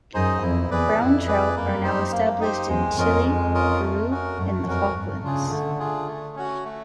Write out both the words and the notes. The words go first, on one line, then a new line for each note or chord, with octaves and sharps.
Brown trout are now established in Chile, Peru, and the Falklands.
F#2 D#4 G#4 C5 D#5
F2 E4
E2 G#4 B4 D5
F2 E4
G#4 B4 D5
F#2 A#3
D#4 G4 C5
A#3
D#4 G4 C5
E2 G#3
F2 C#4 F4 A#4 D#5
G#3
C#4 F4 A#4 D#5
A3
C#4 F#4 A#4
F#2 A3
F2 C#4 F#4 A#4
G2 A3
C#3 D4 F4 G#4
D3 A3
D4 F4 G#4
A3
C#4 F#4
A3